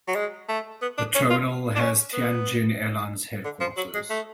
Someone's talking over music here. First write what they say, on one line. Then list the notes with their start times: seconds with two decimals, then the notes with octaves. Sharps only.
The terminal has Tianjin Airlines headquarters.
0.08 F#3
0.15 G#3
0.49 A3
0.82 B3
0.98 D4
1.15 C#4
1.30 F4
1.76 D4
1.80 C#4
2.13 B3
3.44 D3
3.60 F3
3.77 F#3
3.94 G#3
4.10 A3